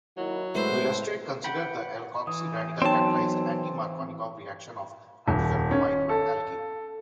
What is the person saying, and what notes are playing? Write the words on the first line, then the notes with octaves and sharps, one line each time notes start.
To illustrate, consider the alkoxy radical-catalyzed, anti-Markovnikov reaction of hydrogen bromide to an alkene.
D#2 D#3 F#3 E4
A2 G#3 B4 C5 E5
F#5 G5 B5
E3 D#6
B1 C4 C#5 G5 A5 C6
D#1
C#4
A4